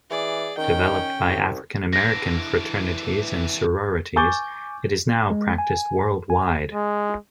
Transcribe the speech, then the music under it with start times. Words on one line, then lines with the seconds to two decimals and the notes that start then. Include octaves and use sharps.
Developed by African-American fraternities and sororities, it is now practiced worldwide.
0.10 E3 G#4 D5
0.57 D#3 C#4 G5
1.29 C2
1.93 E3 D4 A#6
4.16 G#5 C#6 D6 G6 A6 G7
5.30 G#3
5.58 G#5
6.30 G#5
6.73 G#3